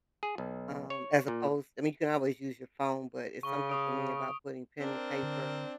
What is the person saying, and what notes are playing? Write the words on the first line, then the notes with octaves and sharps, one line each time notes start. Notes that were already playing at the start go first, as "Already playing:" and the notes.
um, as opposed I mean, you can always use your phone, but it's something for me about putting pen to paper,
G#4
B1
C#5
A#2
C#3 C#6 G7
C#6 D#6 D7
C4 D4 A#4
D3